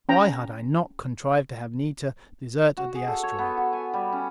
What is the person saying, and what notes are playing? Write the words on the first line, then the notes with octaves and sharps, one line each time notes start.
Why had I not contrived to have Anita desert at the asteroid?
C#4 G5 A#5
F#4
G#4
A4
C#5
B3
F#4
G#5
G3
C#4